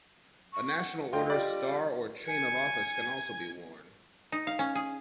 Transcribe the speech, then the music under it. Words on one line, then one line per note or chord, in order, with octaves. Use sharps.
A national order's star or chain of office can also be worn.
C#6
F#5
D2 F4 D#5 G5
G3 F4 G4 D5
G#5 G#6 C#7
D#4
F5
C#4
G#4